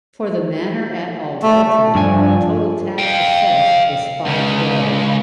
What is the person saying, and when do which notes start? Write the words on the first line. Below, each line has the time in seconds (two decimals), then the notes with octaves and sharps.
For the manor at Alwalton the total tax assessed was five geld.
1.43 A3
1.95 G2 F3 D4 G#5
2.99 F5 G5
4.25 C#2 C#3